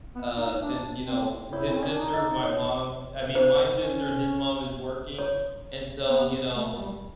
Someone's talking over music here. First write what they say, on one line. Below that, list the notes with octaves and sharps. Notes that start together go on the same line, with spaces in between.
uh, since, you know, his sister, my mom, I mean, my sister and his mom is working. And so, you know,
B3
D#4
D4
C4
E4 C#5
C4
C#4 D5
D4
D#4
D#5
C#5
D4 C5
C#4
C#5
B3
A3
G3